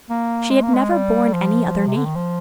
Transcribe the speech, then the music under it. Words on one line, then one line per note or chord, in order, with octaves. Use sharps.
She had never borne any other name.
A#3
G#3
A#3
G#3
G3
F3
C3
D3
D#3
F3